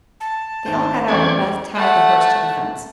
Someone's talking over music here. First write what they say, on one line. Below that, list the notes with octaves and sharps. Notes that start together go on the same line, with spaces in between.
They all got out and Beth tied the horse to the fence.
A5
G#1 C5
E2 A3 C4 C#4 D5 C#6 G#6
A3 F#5